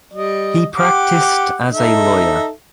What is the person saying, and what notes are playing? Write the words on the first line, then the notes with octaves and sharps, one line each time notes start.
He practiced as a lawyer.
G3 D#5
G4 F#5 D6
D#4 A4 E5